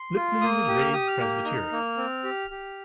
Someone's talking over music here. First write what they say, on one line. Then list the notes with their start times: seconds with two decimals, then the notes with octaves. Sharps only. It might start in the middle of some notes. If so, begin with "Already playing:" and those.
Lippman was raised Presbyterian.
Already playing: C6
0.16 F4
0.41 A#3 D#6
0.68 G4
0.80 F6
0.93 G4 D#6
1.08 F6
1.20 A#3
1.45 D#4
1.72 A#3
1.97 C4
2.24 G4
2.50 G4